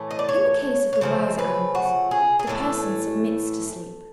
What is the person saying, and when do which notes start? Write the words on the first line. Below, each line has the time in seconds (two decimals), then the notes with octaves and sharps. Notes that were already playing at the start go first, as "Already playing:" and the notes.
In the case of the wiser animals, the Person submits to Sleep.
Already playing: A2 E3 A3
0.11 D#5
0.19 D5
0.29 C#5
0.93 C#5
1.01 C#3 F3 A3 C5
1.39 B4
1.75 F#4
2.11 G#4
2.39 G#4
2.47 A2 E3 A3 A4